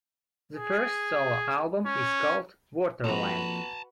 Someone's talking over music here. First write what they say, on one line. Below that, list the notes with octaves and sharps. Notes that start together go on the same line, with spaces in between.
The first solo album is called "Waterland".
G#4
C#4
F2 A#2 F#4 B4 A5 A#5